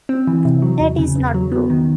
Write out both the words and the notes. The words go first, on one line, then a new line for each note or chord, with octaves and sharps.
That is not true.
C4
E3
C3
F#3
E2
C#3
E2
F#3
B3
D#3